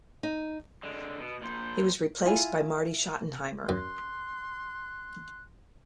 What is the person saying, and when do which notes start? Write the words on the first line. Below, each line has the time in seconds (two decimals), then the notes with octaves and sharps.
He was replaced by Marty Schottenheimer.
0.23 D#4
0.83 D3 G#3
1.20 B2
1.42 A#2 C5
2.25 E4 F4 G#5
3.69 F#2 C6 F#6